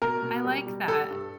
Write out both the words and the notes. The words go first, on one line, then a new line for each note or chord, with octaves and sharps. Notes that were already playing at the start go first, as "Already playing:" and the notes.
I like that.
B2 A#4
B2
G3
G3
G3 A4
G2